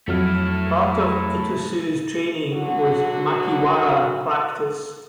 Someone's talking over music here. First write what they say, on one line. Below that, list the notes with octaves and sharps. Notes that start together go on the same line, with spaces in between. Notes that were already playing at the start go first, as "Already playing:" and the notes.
Part of Itosu's training was makiwara practice.
F2 F#3 A3 E4 F6
D3 F#3 F#4